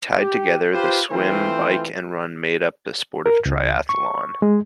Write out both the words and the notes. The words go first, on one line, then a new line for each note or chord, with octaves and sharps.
Tied together, the swim, bike and run make up the sport of triathlon.
G4
F4 G4 B4 C5
E3 A3 C4 F4 C5
A#4
C#2
C#6
G#3